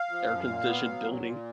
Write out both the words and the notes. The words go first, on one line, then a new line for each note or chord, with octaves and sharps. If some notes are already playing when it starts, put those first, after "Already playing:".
air conditioned building.
Already playing: F5
F3
F#2
A#2
B3
F#3
A#2
A#2